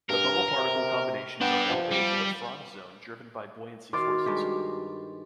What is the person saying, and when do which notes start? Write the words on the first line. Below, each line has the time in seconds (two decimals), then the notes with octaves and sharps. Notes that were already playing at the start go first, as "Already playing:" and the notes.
The bubble-particle combinations are elevated to the froth zone driven by buoyancy forces.
0.09 G2 A#4
0.57 C3
1.41 B3 D4 G5
1.70 F3
1.92 G3
3.93 D#3 F#4 F5 G5 C6 D6 A6
4.26 G2 G#3 G4